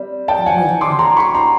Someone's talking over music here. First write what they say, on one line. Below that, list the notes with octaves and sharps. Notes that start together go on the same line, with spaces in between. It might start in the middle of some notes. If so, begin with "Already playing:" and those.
"I will not!"
Already playing: G3 C4
G5 A5
F#5 G#5
C6 D6
A#5 C6
B5 C#6
A#5 C6